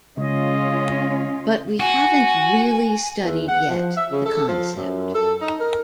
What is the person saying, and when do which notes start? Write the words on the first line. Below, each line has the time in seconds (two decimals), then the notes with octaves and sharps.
But we haven't really studied yet the concept.
0.17 C#3 G#3 C#4 F4 D#5
1.80 F#4 G#5
3.24 E2
3.47 F#5
3.69 F3
3.95 E5
4.10 C#3
4.25 A4
4.47 F3
4.75 F#2
5.14 A4
5.40 D#4
5.59 A#4